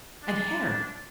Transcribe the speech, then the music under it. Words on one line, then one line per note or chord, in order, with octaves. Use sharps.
And hair.
D4